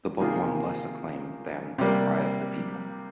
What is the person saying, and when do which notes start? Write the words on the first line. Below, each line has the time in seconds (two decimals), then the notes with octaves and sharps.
The book won less acclaim than "Cry of the People".
0.20 C3 D#3 A#3 F4 G#4
1.78 C3 G3 A#3